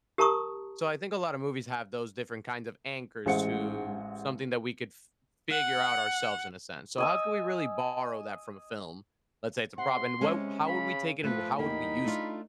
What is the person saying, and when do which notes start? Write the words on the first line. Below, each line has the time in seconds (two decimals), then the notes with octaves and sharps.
So, I think a lotta movies have those different kinds of anchors to something that we could f figure out ourselves in a sense. So how can we really borrow that from a film? Let's say it's a prop and wo how would we take it, and how would we use it?
0.18 G4 A#4 A5 A#5 C#6 D#6
3.26 A1 G#3 C5 F5 F#5 C#7
5.51 F#5
6.98 D#5 G#5 E6
9.78 C3 F#5 C6
10.21 C3 G#3 C#4
10.67 C#3 B5
11.24 F3 A3 B4
11.58 E2 A#3 D#4 G4 B5
12.05 A3 D4 F4